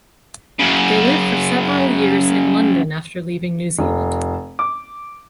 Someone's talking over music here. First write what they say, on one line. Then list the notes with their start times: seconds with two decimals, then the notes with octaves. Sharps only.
They lived for several years in London after leaving New Zealand.
0.59 F#2 C#3
3.79 F1
4.59 D6